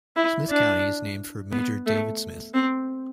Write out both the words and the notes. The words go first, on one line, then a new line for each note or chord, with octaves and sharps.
Smith County is named for Major David Smith.
E4
D4
B3
A3
C4